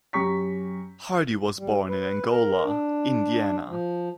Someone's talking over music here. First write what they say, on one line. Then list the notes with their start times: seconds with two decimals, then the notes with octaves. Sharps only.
Hardy was born in Angola, Indiana.
0.13 F#2 G4 A#5 C#6 B6
1.58 G3
1.89 B4
2.31 A#4
2.65 D4
3.68 F3